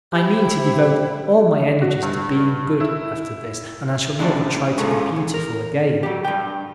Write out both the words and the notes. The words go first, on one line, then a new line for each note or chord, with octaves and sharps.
I mean to devote all my energies to being good after this and I shall never try to be beautiful again.
E4 G4 C5
F#4
G2
E4
A2 C#3 G3 D4 E4
G#3 B3 C#4 F4 G#4 A4
E3
A#4
F#3 G4
G2 G5